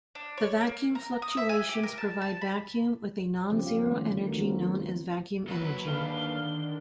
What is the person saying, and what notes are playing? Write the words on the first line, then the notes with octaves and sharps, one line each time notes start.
The vacuum fluctuations provide vacuum with a non-zero energy known as vacuum energy.
D4
C#5
A#3
A#5
D#6
E5
G#5
G4
A#4
A5
A5
B5
C#3 F3 C4 C#4 F4 G4
G3 B3 F4 F5
D#3 E3 A3 C#4
D3
D#3 F#3 A3 F#4 A#4
B3 C4 F4
D#2 F#3 B4
D3 D#3 D4 F5 G7